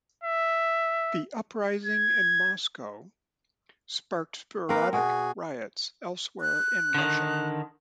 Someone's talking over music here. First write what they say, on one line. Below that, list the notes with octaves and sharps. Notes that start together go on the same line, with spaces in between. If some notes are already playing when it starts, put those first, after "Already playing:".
The uprising in Moscow sparked sporadic riots elsewhere in Russia.
E5
G#6
A#3 C4 A#4 B4 F5
B2 F#4 G#4
F#6
D3 D#3